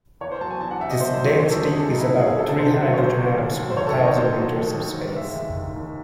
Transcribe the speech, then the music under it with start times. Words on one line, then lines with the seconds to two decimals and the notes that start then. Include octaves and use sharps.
This density is about three hydrogen atoms per thousand liters of space.
0.21 E2 C#5
0.32 C5
0.41 F#3 A5
0.50 G#5
0.61 E2 A5
0.71 F#5
0.80 C3 E5
0.90 D#5
1.00 E2 C5
1.14 C5
1.20 F#3
1.26 C#5
1.39 E2 C5
1.51 A4
1.60 C3 C5
1.73 G#4
1.80 C#2 A4
1.92 D#4
1.99 F#3 E4
2.19 C#2 G#4
2.39 C3 A4
2.49 A4
2.59 C#2 C5
2.79 F#3
2.94 C#5
2.98 C#2 C5
3.18 C3
3.37 D#2
3.58 F#3
3.70 C5
3.77 D#2 C#5
3.87 A4
3.97 D#3 C5
4.03 D#5
4.07 C#5
4.17 D#2 C5
4.37 F#3
4.57 D#2
4.76 D#3
4.96 D#2
5.16 G#3 E5
5.35 D#2
5.56 D#3
5.76 D#2